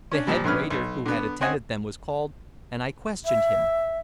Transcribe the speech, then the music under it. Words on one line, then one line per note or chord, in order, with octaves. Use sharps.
The head-waiter who had attended them was called, and I questioned him.
C#4 D4
A#2 F3 G3
A#1 D3 B3 C#4 B4 F6
B1
D3 B3
C4 C#4 D#5 F#5 G#5
E5